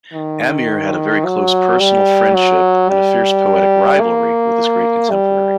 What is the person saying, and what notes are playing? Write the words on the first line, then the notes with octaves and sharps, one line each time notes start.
Amir had a very close personal friendship-and a fierce poetic rivalry-with his great contemporary.
D#3
F#3
G3
F#3
G3
A#3
G3